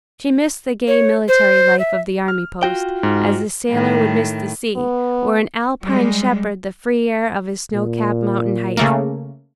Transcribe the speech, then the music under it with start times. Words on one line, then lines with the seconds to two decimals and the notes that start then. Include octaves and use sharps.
She missed the gay military life of the army post, as a sailor would miss the sea, or an Alpine shepherd the free air of his snow-capped mountain heights.
0.88 C#5
1.28 C5
1.79 E5
2.28 F6
2.63 F4 F#4 G5
3.03 G#2
3.70 A2 D#3
4.76 B3
5.82 G3 G#3
7.74 A#2
8.77 C#3 A3 A#3